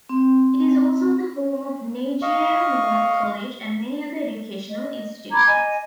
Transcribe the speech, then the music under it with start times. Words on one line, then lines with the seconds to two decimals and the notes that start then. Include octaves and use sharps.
It is also the home of Neijiang Normal College and many other educational institutions.
0.09 C4
2.22 D#5 F5 C#6
4.69 D#5
5.33 A#5 B5 D6 G#6
5.47 D#5 G#5